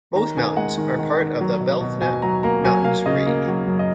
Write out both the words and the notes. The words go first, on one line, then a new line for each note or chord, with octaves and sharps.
Both mountains are part of the Belknap Mountains range.
D#3 A#5
D#3 G#5
G#3 F#5
D#3
D#3
D#3
F#3
B2
B2
B2 G#5
F#3 A#5
A#3 A#5
F#3 G#5
A#3 F5
C#3 D#5
A#3
F#3
F#2
D#5